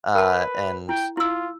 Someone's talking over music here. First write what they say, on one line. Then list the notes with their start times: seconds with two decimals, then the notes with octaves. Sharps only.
uh, and
0.15 A#4 B4 A5
0.89 E4 G5
1.17 E4 F4 E6